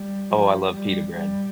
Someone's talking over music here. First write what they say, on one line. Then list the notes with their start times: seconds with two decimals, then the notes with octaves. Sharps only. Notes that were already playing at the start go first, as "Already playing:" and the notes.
Oh, I love pita bread.
Already playing: G3
0.30 F3
0.70 G3
1.10 G3